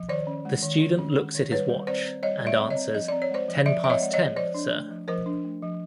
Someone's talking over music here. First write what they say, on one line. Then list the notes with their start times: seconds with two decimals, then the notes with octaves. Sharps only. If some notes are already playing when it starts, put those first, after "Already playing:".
The student looks at his watch and answers ten past ten, sir.
Already playing: F3
0.09 D#3 C5 D5
0.27 C#4
0.45 G#3
0.63 D#3
0.80 D#3
0.99 C#4
1.16 G#3
1.35 D#3
1.52 G3 B4 C#5
1.69 G3
1.87 C4 C5 D5
2.06 C4
2.23 G3 C#5 D#5
2.40 G3
2.46 D5 E5
2.58 C4
2.70 C#5 D#5
2.77 C4
2.94 F3 D#5
3.08 C4 D5
3.22 C#5
3.31 G#3 C5 D5
3.48 F3
3.66 F3 D5 E5
3.83 C4 E5
3.90 C#5 D#5
4.01 G#3 D5
4.14 C#5 D#5
4.19 F3
4.36 F3 C5 D5
4.54 D4
4.73 A3
4.90 F3
5.08 F3 A#4 C5
5.26 D4
5.44 A3
5.62 F3